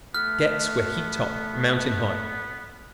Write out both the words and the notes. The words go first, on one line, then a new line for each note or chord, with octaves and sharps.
Debts were heaped up mountain-high.
A3 B3 F6